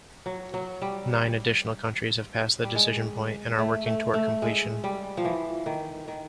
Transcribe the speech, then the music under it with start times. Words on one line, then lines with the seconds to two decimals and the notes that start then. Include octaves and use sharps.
Nine additional countries have passed the decision point and are working toward completion.
0.26 F#3
0.54 F#3
0.82 G3
2.64 G3
2.75 G#3
3.59 A3
3.86 A3
4.14 A3
4.42 G#3
4.84 G3
5.17 F3
5.24 E3
5.66 D#3
6.08 D#3